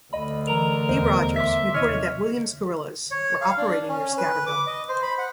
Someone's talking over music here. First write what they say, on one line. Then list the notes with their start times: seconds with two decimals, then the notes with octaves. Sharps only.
B. Rogers, reported that "Williams Guerillas" were operating near Scatterville.
0.13 D2 D#5 B5
0.47 E3 A#4 A#5 F7
0.89 D#1 E2 B3 C5 D#5
1.36 E5 C6 D6 B6
1.74 D#1 C3 D#3 C#5 D#5 F6
3.11 C#5
3.41 F5
3.57 D4
3.89 C#4
4.18 B4
4.47 D6
4.67 D#5
4.89 C5
5.03 B5
5.18 F#5